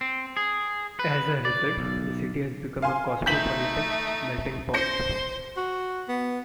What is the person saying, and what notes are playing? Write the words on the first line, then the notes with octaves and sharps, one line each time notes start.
As a result, the city has become a cosmopolitan melting pot.
C4
G#4
B4
D5
B1
F5 G#5 C6
A3 D#4 G6 B6 F#7
C5 C6 G6 A#6 C#7
F#4
B3